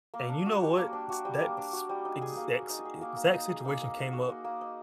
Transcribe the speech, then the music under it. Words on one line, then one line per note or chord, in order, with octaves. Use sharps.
And you know what? It's that's exact s exact situation came up
A#3
D4
F#4
G3
A#3
D4
F#4
G3
A#3
D4
F#4
G3
D#4
G#4
A#3
A#3
D#4
G#4
A#3
A#3
D#4
G#4
A#3
A#3
D#4
F#4
A#3
A#3
D#4